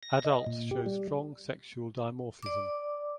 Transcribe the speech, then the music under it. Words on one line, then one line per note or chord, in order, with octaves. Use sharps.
Adults show strong sexual dimorphism.
A#6
D#5
A#2
G4
G3
D5 D6